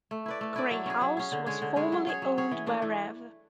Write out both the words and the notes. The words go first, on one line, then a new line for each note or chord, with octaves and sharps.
Cray House was formerly owned by Rev.
A3
E4 B4 D5
A3
E4 B4 D5
F#3
C#4 G#4
F#3
C#4 G#4
D3
G#3 C#4 G#4
D3
G#3 C#4 G#4
F#3
C#4 G#4 C#5
F#3
C#4 G#4 C#5
E3
A3 D4
E3